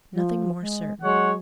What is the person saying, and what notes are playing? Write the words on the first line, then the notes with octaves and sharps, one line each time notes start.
Nothing more certain.
F3
G#3
F#3 G#3 C#5 F#5